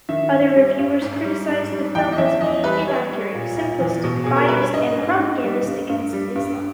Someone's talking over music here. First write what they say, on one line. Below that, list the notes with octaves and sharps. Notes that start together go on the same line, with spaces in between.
Other reviewers criticised the film as being inaccurate, simplistic, biased and propagandist against Islam.
D#3 E5
G2
G3
G2
G#2
G3
G#2
G3
E2 G5
D#5
E2 E5
E2 D#5
G3 B4
G3 C#5
G3
A#2
A#2
E2
B2
B2 G#4
A#4
G3 B4
C#5
G#2 D#5
G#2
G#2
G3
G2
G2
G3
G2